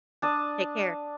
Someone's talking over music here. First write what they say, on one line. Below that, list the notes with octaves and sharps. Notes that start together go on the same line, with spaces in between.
Take care.
D4 A5 D#6